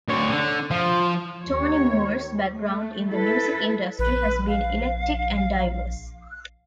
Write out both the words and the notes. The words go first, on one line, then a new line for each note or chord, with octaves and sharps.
Tony Moore's background in the music industry has been eclectic and diverse.
D2 C#5
D3
F3
D#2 C#5
A3
E4 A4 B4
A#1 B4
F5